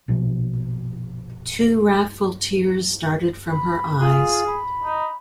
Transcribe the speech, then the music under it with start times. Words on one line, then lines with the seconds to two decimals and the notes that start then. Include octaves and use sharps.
Two wrathful tears started from her eyes.
0.08 A#1 B2 F3
3.50 B5
4.00 F4 G#4
4.47 B5
4.83 D#4